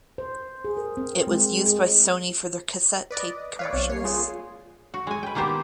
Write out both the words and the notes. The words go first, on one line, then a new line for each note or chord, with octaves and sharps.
It was used by Sony for their cassette tape commercials.
C5
G#4
A#4
C4
G#3
G#4
B4 D5 D#5
B4 C#5 D5 F5
B1 C3 C#5
G3 A#3 C#5 C7
F4 G#4
F#4
G#3 G#5
B4 G5
D#3 A#3 B3 G4 C5